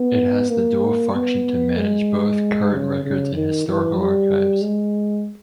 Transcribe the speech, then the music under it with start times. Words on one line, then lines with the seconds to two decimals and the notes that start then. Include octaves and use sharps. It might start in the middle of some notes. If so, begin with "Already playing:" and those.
It has the dual function to manage both current records and historical archives.
Already playing: B3
0.50 A#3
1.14 B3
1.77 G#3
2.72 C#3
3.04 C#3
3.35 D#3
3.67 E3
3.99 G3
4.62 G#3